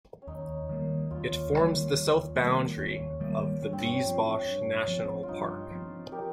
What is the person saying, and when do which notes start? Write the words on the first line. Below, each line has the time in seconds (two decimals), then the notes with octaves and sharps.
It forms the south boundary of the Biesbosch National Park.
0.22 C#4
0.27 D#2 D#4
0.69 D#3 G3 A#3
1.11 D#2 C#4 F4
1.52 D#3 G3 A#3
1.95 D#2
2.36 D#3 G3 A#3
2.78 D#2 C#4
3.20 D#3 G3 A#3
3.62 G2 C#4
3.73 C4
3.85 C#4
4.04 F3 C4
4.45 G2
4.88 F3 C4
5.23 F4
5.28 G2 D#4
5.71 F3 C4
6.12 G4 A#4